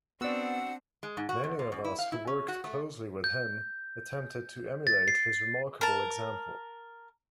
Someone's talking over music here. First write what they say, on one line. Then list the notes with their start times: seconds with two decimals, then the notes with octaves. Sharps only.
Many of us who worked closely with him attempted to emulate his remarkable example.
0.21 B3 C4 D4 F#4 D5 F#5 E6
1.03 G#3
1.17 G#2
1.29 F#4
1.43 E2
1.59 A#2
1.72 F#2
1.84 E4
1.98 F5
2.12 E4
2.27 C#4
2.48 F#4
2.64 A3
3.24 G6
4.87 A6
5.08 C7
5.81 A#4 A5